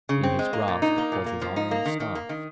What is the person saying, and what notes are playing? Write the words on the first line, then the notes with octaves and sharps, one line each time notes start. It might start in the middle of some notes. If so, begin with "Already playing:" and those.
In his grasp was his iron staff.
C#3
C4
G#3
A#3
A#2
D#4
A#3
A#2
A#3
F3
D#4
A#3
D#3
D#3
A#3
D#3